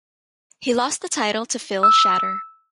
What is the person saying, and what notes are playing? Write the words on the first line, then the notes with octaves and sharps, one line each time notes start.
He lost the title to Phill Shatter.
E6